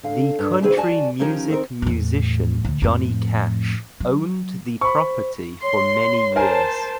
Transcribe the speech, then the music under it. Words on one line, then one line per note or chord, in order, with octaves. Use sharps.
The country music musician Johnny Cash owned the property for many years.
D3 F5
G2
F2 C3 D#3 C4 G#4 B4
F#4 D5 G#5 A5
D#3 F3 C#4 D#4 G4 A#4
D#3 C4 D#4 A#4
E2 A2
D2
F2 A2
F#3
C5 B5 C#6
C#5 C6
A#4 C5 G#5 A5